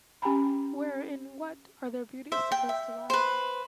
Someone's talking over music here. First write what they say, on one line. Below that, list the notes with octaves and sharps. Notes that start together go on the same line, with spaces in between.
Where and in what are their beauties supposed to lie?
C#4 G4 G5 G#5 A#5 B5
C5 E5
G5
E5
B4 C5